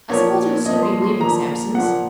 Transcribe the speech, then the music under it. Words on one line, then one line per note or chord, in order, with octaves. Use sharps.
I suppose you'll soon be leaving Sampson's.
A#2 F3 C#5
A#2 F3 D#5
C6
C6
A#2 F3 A#5
A#2 F3 F#5